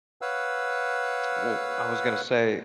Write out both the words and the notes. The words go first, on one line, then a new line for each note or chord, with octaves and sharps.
Well, I was gonna say
B4 C#5 F5 F#5 E6